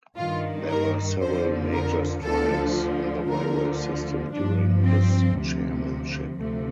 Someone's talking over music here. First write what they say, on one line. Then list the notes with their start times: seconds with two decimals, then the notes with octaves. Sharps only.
There were several major strikes on the railway system during his chairmanship.
0.17 G2 D#3 F4
0.69 A#4
1.21 F2 D3 F3 C5
1.73 A#4
2.24 D2 D3 F3 A4
3.28 D2 D3 F3 A#4
4.32 G2 F3 D4
4.84 C4
5.36 D2 C3 F3
6.39 D2 C3 F3 A3